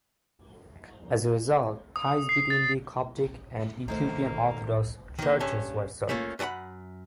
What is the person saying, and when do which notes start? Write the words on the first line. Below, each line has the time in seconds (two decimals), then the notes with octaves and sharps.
As a result, ties between the Coptic and Ethiopian Orthodox Churches were severed.
1.96 D#6
2.29 C7
2.50 A6
3.88 D#3 A3 A#3 C5
5.19 D#3 A#3
5.40 G2 C#4 A4
6.09 A3 A#3 C#4 F4
6.39 F#2 D4 F4 F#5 B5